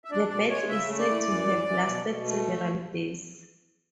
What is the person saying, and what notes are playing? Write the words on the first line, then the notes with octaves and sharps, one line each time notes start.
The battle is said to have lasted several days.
E5
D4 D5
B2 D5
G#3 C#5
C#3 E5
A3
D5
E3
F#2
E3
E3
B2
B2
A3